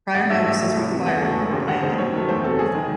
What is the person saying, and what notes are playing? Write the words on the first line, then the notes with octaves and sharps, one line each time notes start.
Prior notice is required before landing.
A1 F#5
G#2 F#3 A3 E5
A1 E5
G#2 F#3 A3
C2
C3 E3
E2 F#5
C#3 F#3 A3
E1
D#2 C#3
D#2 F#5
D#3 G#3 C5
F#2 C#5
D#3 F#3 A3
E2 C5
C3 F#3 A4
E1 G#4
D#3 G#3